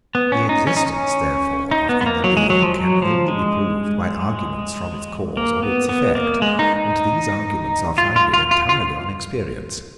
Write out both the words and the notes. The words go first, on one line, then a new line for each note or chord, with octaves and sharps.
The existence, therefore, of any being can only be proved by arguments from its cause or its effect; and these arguments are founded entirely on experience.
B3
C#4
D#4
C#4
D#4
C#4
D#4
B3
B3
A#3
F#3
G#3
F#3
F3
F#3
F3
G#3
A#3
B3
B3
A#3
G#3
D#4
D#4
F4
F4
F4
F4
F4